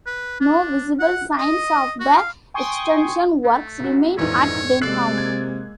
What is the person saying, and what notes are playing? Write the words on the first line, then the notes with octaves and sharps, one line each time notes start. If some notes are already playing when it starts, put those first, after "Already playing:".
No visible signs of the extension works remain at Denham.
B4
D4
F#5
D#5
F#4
F5
G5 G#5 C6 C#6 D#6
A3
C2 F#4
A#1 F2 G#2 E3 D#4 C#5
C3 G#3 A#3 D5 E6 F#6 C7
G#6